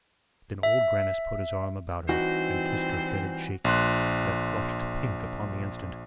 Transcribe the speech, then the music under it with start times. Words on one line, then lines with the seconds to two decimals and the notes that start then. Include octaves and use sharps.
Then Old Grannis put his arm about her, and kissed her faded cheek, that flushed to pink upon the instant.
0.63 E5
2.09 E3 G3 C4 D#4 F#4 C5
3.65 A#1 C6 F#6